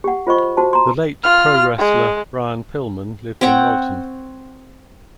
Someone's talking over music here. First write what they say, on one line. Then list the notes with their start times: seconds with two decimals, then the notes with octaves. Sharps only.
The late pro wrestler Brian Pillman lived in Walton.
0.04 G4 F#5
0.27 F4 C5 D#5 C#6
0.57 F#4 C5 A5
0.73 A#5 C6
1.24 F4 F6
1.79 G#3
3.41 C4 C#5 F#5 G5